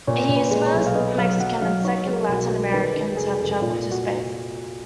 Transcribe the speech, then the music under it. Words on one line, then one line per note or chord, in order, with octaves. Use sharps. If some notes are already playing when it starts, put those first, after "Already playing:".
He is the first Mexican, and the second Latin-American to have traveled to space.
A#2 C#5
A#2
B4
G#3
C#5
B1
F5
B3 D#5
F#3 F5
F#3 F#5
F#3 F5
D#4 C#5
G#3
A#4
B1 F#4
G#4
G#3
D#3 B4
D#3
F1 G#4
F1
A#2 F4
F#4